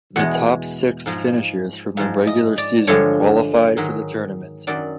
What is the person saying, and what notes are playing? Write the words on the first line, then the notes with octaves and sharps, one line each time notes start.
The top six finishers from the regular season qualified for the tournament.
E2 B2 G#3 F#5
G#2 F3 G#3
G#2 F3 G#3 F5
D#5
D5
G2 D3 F3 G#3 C#5
G#2 D#3 F#3
F#2 D#3 F#3 D5